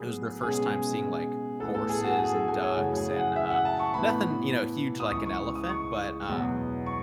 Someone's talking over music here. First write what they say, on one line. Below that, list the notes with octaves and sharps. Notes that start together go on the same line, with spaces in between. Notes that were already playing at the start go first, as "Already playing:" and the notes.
it was their first time seeing, like, horses and ducks and, um, nothing, you know, huge like an elephant, but, um,
Already playing: A2 F#3 B3 G#4
B2 G#3 C#4 G#4
A2 E3 B3 A4
A4
G#4
F#4
G#4
A4
G#5
C#5
F#2 C#3 E3 A3 F#4
G#4
F#5
E5
F#5
A5
C#6
A2 E3 B3 B5
D#6
C#2 C#3 E3 C#6
C#6
D#6
C#6
E2 B2 F#3 B3
C#6